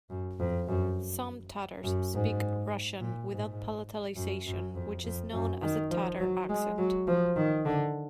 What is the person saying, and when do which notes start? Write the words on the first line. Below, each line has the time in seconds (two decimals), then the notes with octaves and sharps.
Some Tatars speak Russian without palatalisation, which is known as a "Tatar accent".
0.10 F#2
0.39 F2
0.68 F#2
1.84 F#2
2.13 G#2
3.01 A#2
3.30 G#2
4.17 F#2
4.47 F#2
4.75 F2
5.04 F2
5.33 F#2
5.62 D#3
5.91 F3
6.20 F#3
6.49 G#3
6.78 F#3
7.07 F3
7.36 D#3
7.65 D3